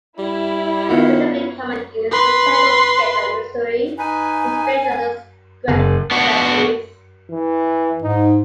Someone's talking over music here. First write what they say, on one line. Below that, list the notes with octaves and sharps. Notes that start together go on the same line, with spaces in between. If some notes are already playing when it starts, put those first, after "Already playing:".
Relatively common in the central stretch of Misuri, but strange in other stretches.
G3 E4
D#3 B3 F4 F#4
B4 C6
D#4 B4 G#5
F#1
B3 D4 F#4
E3
G#2 D#4